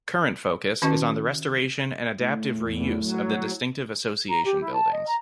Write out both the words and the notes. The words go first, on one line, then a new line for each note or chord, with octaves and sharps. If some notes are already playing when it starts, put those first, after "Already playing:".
Current focus is on the restoration and adaptive reuse of the distinctive Association buildings.
D#3 C#4 E4 F#4 D#5 C#6
A2
E2
F#3
A#5
G4
E4
A5
D#5
A#5